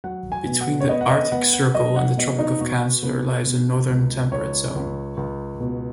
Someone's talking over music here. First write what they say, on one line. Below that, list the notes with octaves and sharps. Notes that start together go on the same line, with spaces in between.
Between the Arctic Circle and the Tropic of Cancer lies the Northern Temperate Zone.
F#3 F#5
G#5
B2
F#5
C#5
B3 D#5
F#5
D#5
B3 F#5
F#5
F#3 D#5
F#5
B2 D#5
D#4
B2 F#4
B3
B2
C#2
C#2 C#5
C#2
C#2
B2